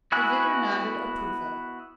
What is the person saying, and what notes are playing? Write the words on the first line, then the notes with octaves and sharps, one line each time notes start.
The vicar nodded approval.
B3 E4 F#4 G#5 F#6